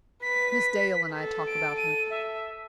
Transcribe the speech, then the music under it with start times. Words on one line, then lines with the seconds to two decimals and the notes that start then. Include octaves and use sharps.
Miss Dale and I talk about him.
0.22 B4 B6
1.12 A4
1.47 D7
1.77 D#7
2.10 E5